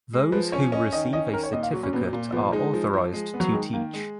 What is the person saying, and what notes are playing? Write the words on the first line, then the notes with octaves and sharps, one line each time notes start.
Those who receive a certificate are authorized to teach.
G#3
F3 B4
C#4 C#5
C#4 D#5
D#3 D#5
C#4 D#5
D#3 A#4
C#5
A#2 D#5
F5
F#3 F#4
C#4
A#2 B3
A#2 A#3
F3 B3
G#3 D#4
F3
F3
G#3
B3
F#3
D#3 G#3
D#3 A#3
G#3